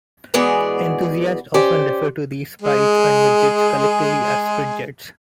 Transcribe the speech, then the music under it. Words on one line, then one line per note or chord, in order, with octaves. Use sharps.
Enthusiasts often refer to these later Sprites and Midgets collectively as Spridgets.
E3 G#3 B3 F#4 G#4 D5
C#4 G4 C5 D5
G#3 G#4